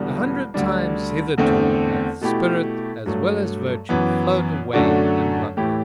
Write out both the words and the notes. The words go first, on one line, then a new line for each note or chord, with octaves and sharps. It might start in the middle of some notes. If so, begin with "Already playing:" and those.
A hundred times hitherto hath spirit as well as virtue flown away and blundered.
Already playing: E1 E2 D3 G3
D2 D3 G3 D4
E2 D3 A3 C4
B2 A3 E4 G4
G2 F#3 A3
F#2 E3 B3
F#2 D3 A3 D4 F#4
A2 E3 A3 E4 G4